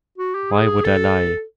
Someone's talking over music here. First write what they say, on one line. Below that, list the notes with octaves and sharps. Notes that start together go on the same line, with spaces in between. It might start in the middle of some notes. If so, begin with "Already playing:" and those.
Why Would I Lie?
F#4
G4
G#4
A4